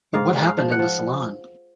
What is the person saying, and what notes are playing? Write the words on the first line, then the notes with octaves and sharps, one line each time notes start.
But what happened in the salon?
G#2 F5
G#2
F5
F3
F#5
F3